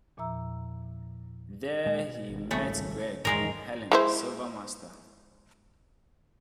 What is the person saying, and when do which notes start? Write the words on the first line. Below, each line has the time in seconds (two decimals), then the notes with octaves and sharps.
There he met Greg and Helen Silvermaster.
0.17 E2 A#2 F3 E5 A#5 E6
1.85 C#2 A#2 G#3
2.05 B2
2.28 G#1
2.51 C2 C#3 G3 A3
3.25 D1 A#1 E2 G#2 D#3 G#3 A#4
3.92 G#3 E4 C5